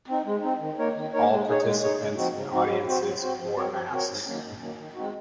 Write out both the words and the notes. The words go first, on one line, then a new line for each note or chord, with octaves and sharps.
All participants and audiences wore masks.
C4 D#4
G#3
C4 D#4
D#3
A#3 D#4 A#4 C#5
D#3
A#3 D#4 A#4 C#5
G#3
D#4 G#4 C#5
G#3
D#4 G#4 C#5
C#3
F3 C4 D#4 F#4
C#3
F3 C4 D#4 F#4
F#3
C4 F#4 C5
F#3
C4 F#4 C5
F3
C4 F#4 A#4 C#5
F3
C4 F#4 A#4 C#5
G#2
D#3 F#3 A#3 C#4
G#2
D#3 F#3 A#3 C#4
D#3
G#3 C4 D#4 F#4